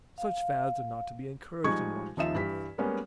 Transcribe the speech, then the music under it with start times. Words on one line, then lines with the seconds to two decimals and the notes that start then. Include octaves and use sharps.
Such fads are not to be encouraged in one's youth.
0.18 F5
1.64 F3 G3 G#3 D#4 C#6 G#6
2.17 D#1 F3 D#4 F4 E5 E7
2.35 G2 E3 G4 B6
2.78 G3 G#3 A#3 B3 C#4